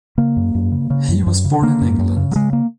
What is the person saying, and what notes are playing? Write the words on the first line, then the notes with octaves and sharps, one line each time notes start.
He was born in England.
C#3 A#3
F#2
F#2
C#3
C#3
F#2
F#2
C#3
C#3 A#3
F#2
F#2
C#3
F#3
C#3 G#3
A#3